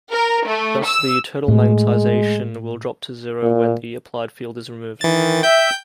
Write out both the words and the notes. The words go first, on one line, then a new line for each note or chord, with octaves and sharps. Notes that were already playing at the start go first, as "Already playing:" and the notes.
Thus the total magnetization will drop to zero when the applied field is removed.
A#4
A3
E6
A2 G#3
A#2
D#3 E3 A6
E5 G5 G6